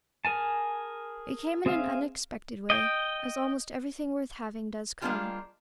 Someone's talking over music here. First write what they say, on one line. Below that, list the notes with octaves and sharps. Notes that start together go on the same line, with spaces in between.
It came in an unexpected way, as almost everything worth having does come.
G#4 A#4 G#5 A5
C4 G#4 E5 F5
D#5 G5
G3 G#3 A#3 D4 F4 G4